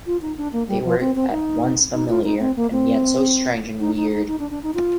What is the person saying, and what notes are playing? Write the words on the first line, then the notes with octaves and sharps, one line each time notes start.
They were at once familiar and yet so strange and weird.
F4
D#4
D4
A#3
G3
F3
C4
C4
D#4
D#4
F4
D#4
C4
A#3
C4
D#4
D#4
D#4
D#4
D4
D4
D#4
F4